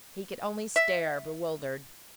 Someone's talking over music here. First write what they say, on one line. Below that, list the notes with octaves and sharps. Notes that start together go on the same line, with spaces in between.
He could only stare, bewildered.
E5